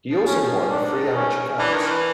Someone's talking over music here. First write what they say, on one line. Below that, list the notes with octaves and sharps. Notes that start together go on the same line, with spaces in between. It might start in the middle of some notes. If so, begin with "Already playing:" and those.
He also won three amateur caps.
F3
C#4
E3
F3
D#3 D4
C#4
E3 D4
D#3
E3